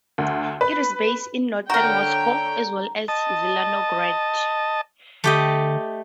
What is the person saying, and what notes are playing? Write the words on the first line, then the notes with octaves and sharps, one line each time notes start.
It is based in Northern Moscow as well as Zelenograd.
D2
B4
D3 F#4 A#4 C#5 G5 A#5
D#5 A5
D3 A3 G4 D#5